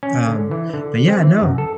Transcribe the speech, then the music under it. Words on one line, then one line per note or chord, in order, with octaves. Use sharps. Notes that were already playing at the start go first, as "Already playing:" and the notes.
um, but, yeah, no.
C#4
D3
E3
D3
C4
E3
F#2
A4